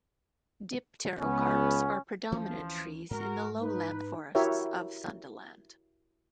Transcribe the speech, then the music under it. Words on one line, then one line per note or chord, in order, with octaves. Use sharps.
Dipterocarps are predominant trees in the lowland forests of Sundaland.
C#2 B3 C#4
D2 E3 F3 C#4
G#2 G#3 F#4 A#4
D#4 B4
E4 F#4 G4 A#4 C#5 E5